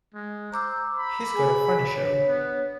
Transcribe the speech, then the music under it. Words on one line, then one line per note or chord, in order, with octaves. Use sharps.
He's got a funny show.
G#3
C5 A#5 D6 E6
B5
G#4 G#5
D4 C#5
B3